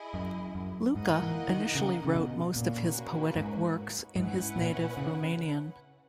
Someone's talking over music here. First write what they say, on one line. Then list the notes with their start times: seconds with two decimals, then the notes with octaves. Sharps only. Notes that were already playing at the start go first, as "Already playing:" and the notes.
Luca initially wrote most of his poetic works in his native Romanian.
Already playing: E4 G#4 D#5
0.14 F#2
0.55 F#2
0.94 G#2 A#3 D#4 A#4 D#5 F#5
1.22 E3
1.48 D#3
1.75 C#3
2.05 C#3
2.15 B2
2.56 A#2 A#3 C#4 F#4 B4
3.36 G#2
4.16 G#2 C#4 E4 B4 F#5
4.56 A#2
4.97 C#3